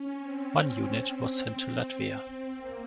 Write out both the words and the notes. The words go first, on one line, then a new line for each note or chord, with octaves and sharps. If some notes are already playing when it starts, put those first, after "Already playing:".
One unit was sent to Latvia.
Already playing: C#4
C4
A#3